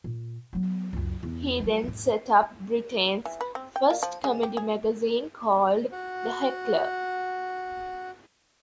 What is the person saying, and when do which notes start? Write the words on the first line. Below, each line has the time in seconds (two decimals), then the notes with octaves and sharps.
He then set up Britain's first comedy magazine called "The Heckler".
0.04 A#2
0.53 F#3 B3
0.93 C#2 F#2
1.23 E2
1.59 D3 G3
1.83 D#2 G#2
3.25 E3
3.41 B4
3.55 C4
3.76 G5
3.90 A#3
4.03 F3
4.24 G#3
4.43 G4
4.57 G#4
5.92 F#4 F#5